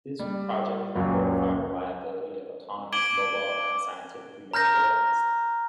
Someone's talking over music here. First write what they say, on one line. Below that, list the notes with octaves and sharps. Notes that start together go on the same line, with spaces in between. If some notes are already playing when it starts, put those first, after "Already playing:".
This project will verify reliability of autonomous, mobile, and scientifically made robots.
G3
C#2 F#2 A#2
D6 G#6 D7 F#7 G7
A#5 F6 G6 A#6